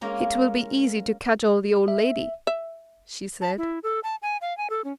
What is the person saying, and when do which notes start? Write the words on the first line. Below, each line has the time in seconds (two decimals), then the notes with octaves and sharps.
"It will be easy to cajole the old lady," she said.
0.01 G#3 A#3 C#4
1.88 E5
2.47 E5
3.41 A5
3.57 E4
3.83 A4
4.04 A5
4.22 G#5
4.41 F5
4.57 G#5
4.70 A4
4.84 C#4